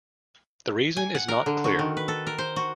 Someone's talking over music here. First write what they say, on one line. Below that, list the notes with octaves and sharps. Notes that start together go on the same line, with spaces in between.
The reason is not clear.
G#5
F#5
A#4
D3
F#4
D#3
B4
A4
A#4
C5
F#4